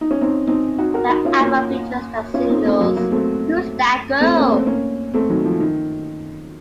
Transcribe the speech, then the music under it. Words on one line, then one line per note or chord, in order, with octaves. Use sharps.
The album features the singles Who's That Girl?
D#4
C#4
C4 D#4
C4 D#4
D#4 F#4
F#4 A#4
D#4 F#4
C#4 F4
A#3 C#4
C#4 F4
C4 D#4
A3 C4
F#3 A#3
F#3 A#3
A3 C4
A3 C4
A#3 C#4
A3 C4
A#3 C#4
A3 C4
D#3 F#3
F3
D#3